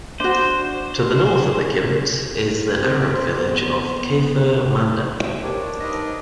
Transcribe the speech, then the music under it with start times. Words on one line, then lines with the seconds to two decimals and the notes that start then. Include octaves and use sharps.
To the north of the kibbutz is the Arab village of Kafr Manda.
0.20 D4 F#4 C5
2.76 C4 G4
3.33 B3 C5
4.01 B3
5.43 D4 G4 A#4 C5 C#5
5.81 G2 D#4 D#5